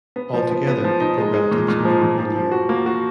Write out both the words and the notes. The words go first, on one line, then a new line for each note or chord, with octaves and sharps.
All together the program takes over one year.
B3
F3
B3
B3
F3
D#4
G#3
G#3
A#2
A#2
F3
A#2
F3
F3
F#4
A#3
F#4